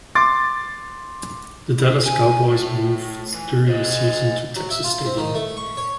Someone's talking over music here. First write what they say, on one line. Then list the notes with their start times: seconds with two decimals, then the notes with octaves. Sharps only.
The Dallas Cowboys moved during the season to Texas Stadium.
0.15 C6 D6 A6
1.80 E4 G#4
2.06 G#5
2.50 A2
3.34 E3
3.68 C5 D#5
4.56 F#3
4.71 E5
4.84 F4
5.05 C4
5.18 D#3
5.35 A3
5.57 C#6
5.77 C#5